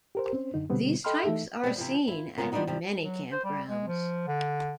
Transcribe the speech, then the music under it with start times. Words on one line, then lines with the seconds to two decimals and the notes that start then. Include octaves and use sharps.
These types are seen at many campgrounds.
0.15 G4 A#4 C5
0.33 C4 C#4 C5
0.54 F#2 D3 D#4
0.70 B2 D3 G3 B3 C4
1.04 A4 D#5 G5 B5 C6 F6
1.24 E3 A3 D#4 A4 E5
1.64 B2 D#3 G3 G#3 B3 C4
1.76 C3 E3 F3
2.08 E4 F4
2.38 C#3 G#3 B3 C#4 F4 A#4
2.52 F3 G3 B3 D4 D#4 F#4
2.67 C3 F3 G3
3.02 F#3
3.32 C5
3.44 G3
3.67 G#3
3.87 F3
4.27 D3